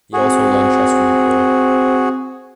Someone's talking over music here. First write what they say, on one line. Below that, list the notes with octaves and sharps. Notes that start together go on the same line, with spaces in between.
He also learned chess from his brother.
C4 F#4 G#4